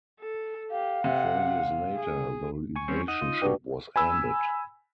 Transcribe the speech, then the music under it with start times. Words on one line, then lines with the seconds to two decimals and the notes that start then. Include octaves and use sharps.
Four years later, the relationship was ended.
0.20 A4
0.71 G4 F5
1.04 C3 F#5
1.97 G#4
2.76 G#5 C#6
2.88 G3 C4 C#4
3.08 D#4 D#5 F#5
3.21 F4
3.42 G2 F#4 G4
3.96 G#5 B5 E6